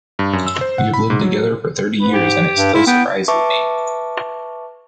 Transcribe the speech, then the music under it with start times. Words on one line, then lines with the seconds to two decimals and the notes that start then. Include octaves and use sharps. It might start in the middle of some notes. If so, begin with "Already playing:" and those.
We have lived together for thirty years and it still surprises me.
0.19 G2
0.33 F#2
0.47 E6
0.61 C5
0.78 F#5
0.94 B5
1.10 G#2
1.21 F#3
2.02 G#2 B4
2.14 G4
2.56 G2
2.74 E4 F4
2.87 B3 G5
3.28 B4 E5 A5 C#6 D6